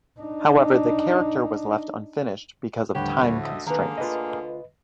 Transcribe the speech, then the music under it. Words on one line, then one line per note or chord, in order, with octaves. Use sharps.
However, the character was left unfinished because of time constraints.
D4 D#4
D#2 A2 D3 F3 G3 G4 B4 C#5
D2
D#5 E5
D3 D#3 A#3 G#4 B4 F5 A#5
D2 F4 B4 D#5